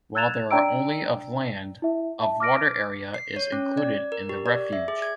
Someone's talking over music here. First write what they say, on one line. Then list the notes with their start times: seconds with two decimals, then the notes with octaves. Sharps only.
While there are only of land, of water area is included in the Refuge.
0.15 E6 F#6 G#6 A6 E7 F7
0.51 D4 D5 G5 A#5 E6 D7
1.82 E4 E5
2.22 E5 A5
2.40 D6 F6 A#6 D7
3.14 C7
3.36 C#5
3.52 C#4
3.77 D5
4.12 A#4
4.29 G4
4.46 D5
4.73 E5
4.88 G#4
5.02 G#6